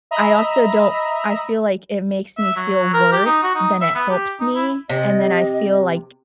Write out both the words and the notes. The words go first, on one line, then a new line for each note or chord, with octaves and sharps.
I also don't I feel like it makes me feel worse, than it helps me, and then I feel like
D#5 E5 A#5 B5
E5
F#3
A#4
G4
D#4
F#4
D#4
E5
B3
G4
D#4
E4
C3 D#5